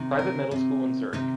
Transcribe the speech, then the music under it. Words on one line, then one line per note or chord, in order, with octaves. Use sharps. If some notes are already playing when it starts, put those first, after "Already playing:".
Private middle school in Zurich.
Already playing: C3 D#3
A#4
C3 D#3
C3 D#3 D#4